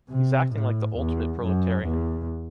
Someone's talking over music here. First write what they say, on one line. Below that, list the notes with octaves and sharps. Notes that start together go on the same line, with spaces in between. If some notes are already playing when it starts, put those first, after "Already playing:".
He's acting like the ultimate proletarian.
C3
A2
E2
F#2
E2